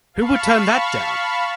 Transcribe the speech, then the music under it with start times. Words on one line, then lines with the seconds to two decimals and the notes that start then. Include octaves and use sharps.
Who would turn that down?
0.14 F5 A5 B5 C#6